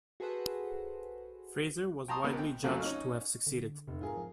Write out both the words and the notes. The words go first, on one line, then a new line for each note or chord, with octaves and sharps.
Fraser was widely judged to have succeeded.
F#4 G#4 A4 B4 C5 F#5
G5 A5 A#5 C6 C#6 D#6
G#1 B3 C4 A#4
G5
A#1 F2 A#2 C#3 F#3 A3
C#4 D#4 D#5 F6
D3
F1 C3
G#2 F4 G#4 A#4
F3